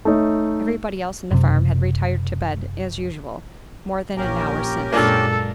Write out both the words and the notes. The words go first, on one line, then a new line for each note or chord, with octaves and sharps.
Everybody else in the farm had retired to bed, as usual, more than an hour since.
A3 D#4 C#5
F#1 C3
A#1 A#3 C#4 G4 A#4
F#2 A#2 G#3 A#3 D4 F4 A4